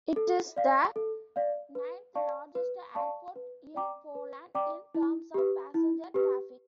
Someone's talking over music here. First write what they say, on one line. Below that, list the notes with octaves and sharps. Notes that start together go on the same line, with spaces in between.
It is the ninth largest airport in Poland in terms of passenger traffic.
A4
D5 F5
A4
D5 F5
B4
D5 F5 A5 C#6
B4
D5 F5 A5 C#6
B4
D5 G5 A#5 D6
B4
D5 G5 A#5 D6
E4
G4 B4
E4
G4 B4